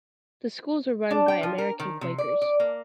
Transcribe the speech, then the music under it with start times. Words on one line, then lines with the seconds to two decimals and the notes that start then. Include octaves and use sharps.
The Schools were run by American Quakers.
1.11 D4
1.28 G5
1.43 F3
1.58 A#4
1.80 D#3
2.01 C3
2.18 D5
2.42 D5
2.60 A#3